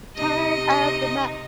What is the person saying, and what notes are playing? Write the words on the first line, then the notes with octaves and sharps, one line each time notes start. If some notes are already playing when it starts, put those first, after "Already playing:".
Return of the Mac.
C3 D#4 G4 D#5